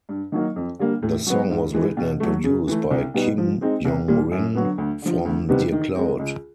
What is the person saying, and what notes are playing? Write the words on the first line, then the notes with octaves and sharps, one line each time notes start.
The song was written and produced by Kim Yong-rin from Dear Cloud.
G2
D#3 F#3 A#3 D#4
F2
D3 G3 A#3
A2
F#3 B3
G#2
E3 G#3
B2
F#3 A3
C#3
E3 A3
C2
B2 G3 B3 D#4
F3
G#3 C4 D#4
C2
A#2 G3
F#2
D3 F#3 B3
D2
D3 F3
D2
C3 D#3 G3 B3
D#3
G#3 C4
C#2